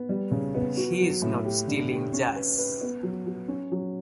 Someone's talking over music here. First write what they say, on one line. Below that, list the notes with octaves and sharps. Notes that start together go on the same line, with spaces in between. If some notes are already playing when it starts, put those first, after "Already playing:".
He's not stealing jazz.
Already playing: B3
G3
C#3
B3
F#4
F#3
A2
G4
D3
G4
C#4
B4
B4
B3
F#3
F#3
C#4
F#3